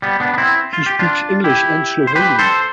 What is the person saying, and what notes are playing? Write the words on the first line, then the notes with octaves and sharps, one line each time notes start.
She speaks English and Slovenian.
G3 B3
B3 D4
D4
C4 E4
F4
G4
D4 F4
E4 G4
C5
G4 B4
A4 C5